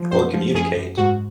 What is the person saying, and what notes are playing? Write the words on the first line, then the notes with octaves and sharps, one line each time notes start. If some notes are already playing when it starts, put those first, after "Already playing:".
Or communicate.
Already playing: F3
F#2 C5
F3
F#2 G#4
F#2
G#2 F#4